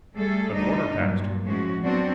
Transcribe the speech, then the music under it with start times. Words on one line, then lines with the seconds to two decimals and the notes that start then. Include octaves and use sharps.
A quarter past.
0.14 G3 A3 G#4 A4
0.54 D2 G3 D4 D#4 D#5
0.97 G2 A#2 F#3
1.44 A2 F3 G#3 C#4 F#4
1.82 F#3 B3 C4 D4 F#4